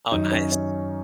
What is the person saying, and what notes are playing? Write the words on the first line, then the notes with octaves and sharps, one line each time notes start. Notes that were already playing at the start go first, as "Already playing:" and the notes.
Oh, nice.
F#2 D#3 D#4
C#4
C#4